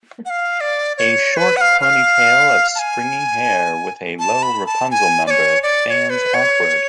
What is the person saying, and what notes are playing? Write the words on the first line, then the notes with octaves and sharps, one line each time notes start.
A short ponytail of springy hair with a low Rapunzel number, fans outward.
F#5
F5
D5
C#5
C#5
B4
F#5
F5
F5
A5
G#5
A5
B5
A5
G#5
D5
C#5
D5
D5
C#5
B4
C#5